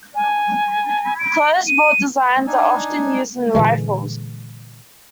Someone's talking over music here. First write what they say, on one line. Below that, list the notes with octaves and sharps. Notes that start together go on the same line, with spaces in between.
Closed-bolt designs are often used in rifles.
G#5
D7
D#7
D4 D#4 G#5
A#2 D3 E3 G#3